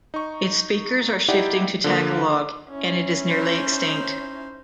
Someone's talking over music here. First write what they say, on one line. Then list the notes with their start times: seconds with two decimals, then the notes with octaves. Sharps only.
Its speakers are shifting to Tagalog, and it is nearly extinct.
0.14 D#4 C#6
1.28 D#4 E4 G4 D5 F#5 G5
1.84 D3 F3 A#3
2.71 C#4 E4 C#5
3.25 D#4 C5
3.55 C#5